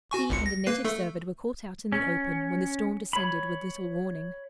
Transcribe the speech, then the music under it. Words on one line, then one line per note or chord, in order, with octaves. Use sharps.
He and a native servant were caught out in the open, when the storm descended with little warning.
F#4 G#5 C#6
G#1 C#2 C#7
A#6
A#3 B4 C7
A3 A4
C#4
C#5 B5